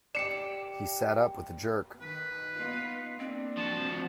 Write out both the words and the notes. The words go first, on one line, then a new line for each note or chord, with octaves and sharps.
He sat up with a jerk.
G4 D5 C#7 E7
D#3 B4
B3 D#4 F4
A#3 C4 D4
F3 F#4 A5